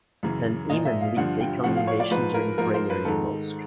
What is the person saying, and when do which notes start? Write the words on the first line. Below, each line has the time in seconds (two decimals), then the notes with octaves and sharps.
An Imam leads a congregation during prayer in a mosque.
0.23 F#2 C#3 E3
0.70 A#2 F3 D#5
0.85 E5
1.01 F5
1.17 G2 D3 F3 F#5
1.41 G5
1.63 A2 F3 F#5
1.76 F5
1.87 C#5
2.00 D5
2.11 G#2 F3 B4
2.34 A#4
2.58 G#2 F3 A#4
2.74 C5
2.90 B4
3.05 G#2 D#3 A4